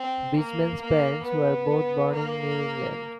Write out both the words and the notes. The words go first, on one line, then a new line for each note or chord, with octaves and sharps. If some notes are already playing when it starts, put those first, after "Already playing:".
Bridgman's parents were both born in New England.
Already playing: C4
A#3
A#3
B3
A#3